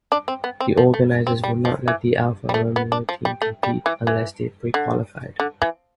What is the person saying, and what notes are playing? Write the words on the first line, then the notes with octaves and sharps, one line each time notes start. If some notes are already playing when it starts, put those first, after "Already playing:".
The organizers would not let the Alfa Romeo team compete unless they pre-qualified.
D4
C4
B3
C4
F3
A3
C4
G3
F3
E3
G3
A3
B3
D4
F3
G3
A3
G3
E3
E3
D3
D3
E3